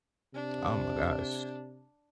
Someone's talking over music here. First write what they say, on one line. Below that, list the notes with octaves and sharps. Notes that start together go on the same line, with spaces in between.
Oh my gosh.
C3 D4